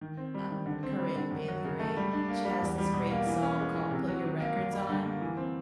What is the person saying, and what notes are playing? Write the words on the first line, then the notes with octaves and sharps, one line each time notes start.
um, Corinne Bailey Rae, she has this great song called "Put Your Records On,"
D#3
C4
G3
D#3
D3
C4
G3
D3
F#2
F#3
C#3
A3
G3
D4
A#3
G3
E2
G3
B2
A#3
E3
C#4
G#3
E3
C3
F#3
D#3
A#3
F#2
G3
D3
A#3
E3
C4